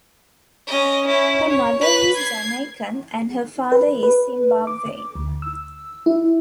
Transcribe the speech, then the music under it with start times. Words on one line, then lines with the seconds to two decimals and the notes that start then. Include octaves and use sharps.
Her mother is Jamaican and her father is Zimbabwean.
0.67 C#4 D#5
1.07 C#4 E4
1.48 C#5
1.81 B4 F#6
2.16 G#6 C7
3.72 B4
4.03 B4
4.67 D6
5.15 D2
5.42 E6
6.06 E4